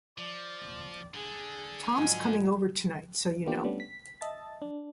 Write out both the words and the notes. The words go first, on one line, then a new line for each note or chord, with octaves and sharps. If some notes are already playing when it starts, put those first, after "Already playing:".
Tom's coming over tonight, so you know.
F3 D5
D3 G#4
G#2 F3 F#3 G#5
A#3 B3 D4 F4 G4
G3 A3 B3 C#4 D4
B6
D#5 E5 A5 A6
D4